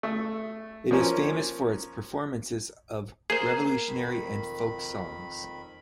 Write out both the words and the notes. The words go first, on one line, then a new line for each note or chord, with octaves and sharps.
It is famous for its performances of revolutionary and folk songs.
A3
F3 A#3 C#4
A#3 G#4 C5
E1 F2 D#3 B5